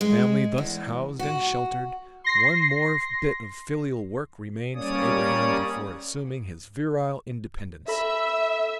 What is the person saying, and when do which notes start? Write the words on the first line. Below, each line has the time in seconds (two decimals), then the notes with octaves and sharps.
The family thus housed and sheltered, one more bit of filial work remained for Abraham before assuming his virile independence.
0.01 G#3
0.58 E2
1.19 F#4
2.24 C6 A#6 C7
4.75 G3 A#3 C#4 C#5 D5 D#6
7.88 A4 E5 B5